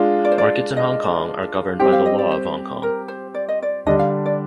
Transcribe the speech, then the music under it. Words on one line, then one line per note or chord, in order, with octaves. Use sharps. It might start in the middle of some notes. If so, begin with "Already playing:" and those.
Markets in Hong Kong are governed by the law of Hong Kong.
Already playing: G#3 D4 F4
D5
C5
D5
D#5
G3 C4 G4 G5
F5
D#5
D5
C5
A#4
C5
D5
D#5
D5
D3 G3 D4 D#5
F5
D5